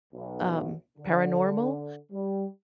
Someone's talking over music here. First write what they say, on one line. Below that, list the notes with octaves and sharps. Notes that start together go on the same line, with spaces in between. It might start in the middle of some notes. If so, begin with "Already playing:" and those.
um, paranormal,
B1
D3
G3